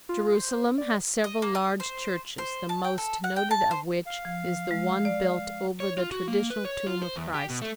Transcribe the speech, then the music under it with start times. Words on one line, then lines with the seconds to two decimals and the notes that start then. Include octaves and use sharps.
Jerusalem has several large churches the most noted of which is the one built over the traditional tomb of Christ.
0.09 F4
0.35 C5
0.78 D5
1.24 D#5
1.42 A#3
1.55 D#6
1.80 C5
2.38 C5
2.69 A5
2.84 G5
2.98 A4
3.24 F#5
3.36 G5
3.51 A5
3.71 C5
4.06 F5
4.25 F3
4.71 G#3
5.05 D5
5.80 C#5
5.98 F4
6.12 F#4
6.28 A#3
6.50 B4
6.65 C#5
6.87 F4
7.02 C5
7.16 E2
7.34 G4
7.50 B2
7.62 A3